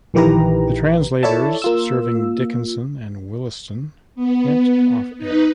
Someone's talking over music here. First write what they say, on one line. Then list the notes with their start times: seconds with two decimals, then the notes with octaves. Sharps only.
The translators serving Dickinson and Williston went off-air.
0.14 A#1 D#3 E3 G4 B4 A#5
1.23 E4 A4 C#5 D5 E5 A5
1.62 A#3 F4 E6
4.15 B3
5.18 D#4 B4